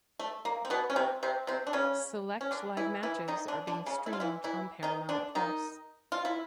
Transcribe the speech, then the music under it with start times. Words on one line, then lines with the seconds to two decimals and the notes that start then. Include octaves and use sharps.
Select live matches are being streamed on Paramount Plus.
0.19 A3
0.45 A#3
0.65 C4
0.70 B2 B3
0.90 C#4
0.96 C3 C4
1.23 C3 C4
1.47 C3 C4
1.67 D4
1.73 C#3 C#4
2.41 C#4
2.51 D3 D4
2.77 E3 E4
3.03 E3 E4
3.28 D#3 D#4
3.48 D3 D4
3.67 D3 D4
3.86 C#3 C#4
4.06 E4
4.13 F4
4.20 E3 E4
4.44 E3 E4
4.83 D#3 D#4
5.09 D3 D4
5.35 D#3 D#4
6.12 F4
6.25 E4